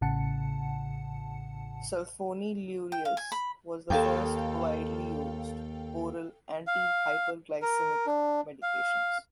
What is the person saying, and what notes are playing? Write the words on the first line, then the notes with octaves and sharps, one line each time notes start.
Sulfonylureas were the first widely used oral anti-hyperglycemic medications.
A1 A2 C#3 F#5 A5 C#7
G5
F5
G#5
B5
D#2 A4 F5 G5
F5
A#4
D4
F5